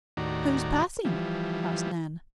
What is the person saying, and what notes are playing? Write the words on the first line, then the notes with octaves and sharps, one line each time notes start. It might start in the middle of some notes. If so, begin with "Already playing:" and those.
"Who is passing?" asked Nan.
D#2 A2 D#3 F#4 D5 A#5
E3 F3 G3